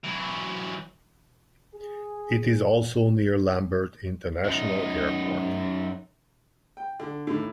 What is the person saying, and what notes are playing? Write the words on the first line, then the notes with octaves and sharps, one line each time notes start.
It is also near Lambert International Airport.
E3 F#3
G#4
F#2 D#4
G5
D3
D#2 A2